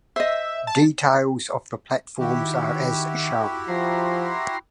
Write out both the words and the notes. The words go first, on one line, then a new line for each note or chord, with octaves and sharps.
Details of the platforms are as shown.
C5 D#5 E5
A5
D#3 E4 F#4 G4
F3 A#5 C6